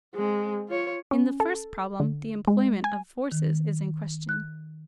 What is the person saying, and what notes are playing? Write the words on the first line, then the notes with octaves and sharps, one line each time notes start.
In the first problem the employment of forces is in question.
G#3 C4
F4 C#5
C#4
A4
D3
G#3
G#5
D#3
F#6